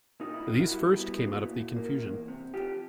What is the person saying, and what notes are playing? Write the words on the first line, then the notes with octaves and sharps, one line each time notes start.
These first came out of the confusion.
A#2 D#4 F4
E4
A#2 F4
E4 F#4
G3
B3
A#2
A#2
A#3
E2
C3
F3 F4 G4